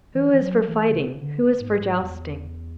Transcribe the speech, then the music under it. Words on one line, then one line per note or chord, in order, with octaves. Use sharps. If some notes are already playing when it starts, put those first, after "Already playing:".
Who is for fighting, who is for jousting?
E3
E3
F#3
E3
D3
C#3
D3
G#2
G#2
E2